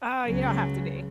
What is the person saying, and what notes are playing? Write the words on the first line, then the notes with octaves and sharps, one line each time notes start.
Oh, you don't have to be.
C#2 C#3 F#3